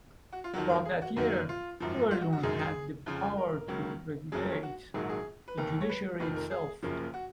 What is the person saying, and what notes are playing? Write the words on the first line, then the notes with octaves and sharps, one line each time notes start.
From that year, Overloon had the power to regulate the judiciary itself.
F#4
F4
F2 D#3 F#3 F#4
A#4
G#4
F#4
F#2 D#3 F#3 A#3 F#4
F4
G#1 F#2 F3
F4
F#4
F#4
F#2 D#3 G#3 G#4
G#4
F2 C#3 F3
A#4
C#2 C#3 F#3 A#3
F#1 F2 C#3 F#3 G#4
A#4
C#5
F#4
A#1 G#2 D#3 F#3 A#3 G#4
F#4
G#4
B4
F1 D#2 D#3 A#4
C#5
B4
F1 F2 D#3 B4
A#4
G#4
F#1 F#2 C#3 F3 A#3
F#4